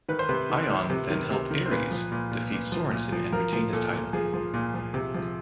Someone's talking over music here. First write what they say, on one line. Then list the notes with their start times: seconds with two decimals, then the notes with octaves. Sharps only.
Ion then helped Aries defeat Sorensen and retain his title.
0.09 D#3 B4
0.19 C5
0.29 C3 B4
0.50 D#3
0.70 D#3
0.90 C3
1.10 D#3
1.30 C3
1.50 D#3
1.66 C5
1.71 A#2 B4
1.91 F3
2.12 A#2
2.31 A#2
2.52 A#2
2.72 F3
2.92 A#2
3.12 F3
3.32 F3 A#4
3.53 F3
3.73 A#2 A4
3.93 A#2
4.13 F3 G#4
4.34 F3
4.54 A#2
4.74 F3
4.94 C3
5.14 F3